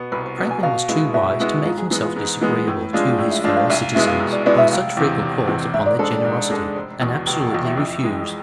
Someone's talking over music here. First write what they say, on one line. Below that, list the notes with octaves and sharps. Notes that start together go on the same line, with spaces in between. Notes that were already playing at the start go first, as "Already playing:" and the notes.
Franklin was too wise to make himself disagreeable to his fellow citizens, by such frequent calls upon their generosity, and absolutely refused.
Already playing: B2 B3
C2 B4
C5
B2 B3
G#5
B2 F5
G#3 B3 E4
B2 E5
G#3 B3 E4
G#2 F4
G#4
E3 G#3 B3 G#4
F4
G#2 G#4
E3 G#3 B3
A2 B4
F3 G#3 D4 F4
A2 D5
E5
F3 G#3 D4 F4 F5
F5
C2 E5
F5
B2 G#3 B3 E4 E5
F5
C2
D5
B2 G#3 B3 E4 D5
E5
F1 F5
E2 C3 E3
F1
E2 C3 E3
G#2 E5
D5
G#3 D4 A4 C5
D5
G#2
G#3 D4 A4
F1 C5
E2 B2
F1 B4
A4
E2 B2 F4
E4
F2 E4
E3 G#3